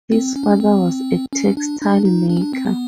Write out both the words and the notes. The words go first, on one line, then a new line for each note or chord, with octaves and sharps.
His father was a textile maker.
C4
C#4
D4
C#4
C4
C#4
D4
D4
D#4
D4
C#4
D4
C4
B3